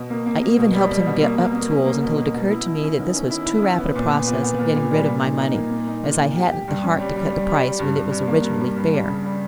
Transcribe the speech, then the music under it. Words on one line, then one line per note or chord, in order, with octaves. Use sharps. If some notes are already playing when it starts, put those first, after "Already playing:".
I even helped him get up tools until it occurred to me that this was too rapid a process of getting rid of my money, as I hadn't the heart to cut the price when it was originally fair.
Already playing: B2
A#3
A#3
A#3
B2
G3
G3
B2
A#3
A#3
A#3
C#4
A#3
B2
A#3
B2
E4
E4
C#4
D#3
C#4
E4
E4
C#4
B3
A#2
B3
A#2
B3
A#2
A#2
G3
A#2
D#4
D#4
A#3
A#3
D#4
A#2
A#2
G4
G4
G2
C#4
G3
G3
G3
G3
G3
G2
G2
G2
A#3
G2
G3
G2
G3
C#3
G3